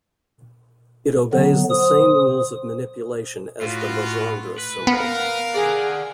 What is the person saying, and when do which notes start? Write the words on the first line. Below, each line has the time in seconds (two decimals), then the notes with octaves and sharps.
It obeys the same rules of manipulation as the Legendre symbol.
1.33 D3 F#3 B3
1.70 C5 D#6
3.62 A2 F4 F#4
4.58 B4
4.87 B3 A#4 F5
5.54 G#4 D5 F#5